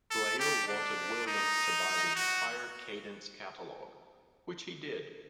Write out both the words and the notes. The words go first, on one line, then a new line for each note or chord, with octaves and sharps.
Bleyer wanted Williams to buy the entire Cadence catalogue, which he did.
A4
G4
D4
D#4
F#4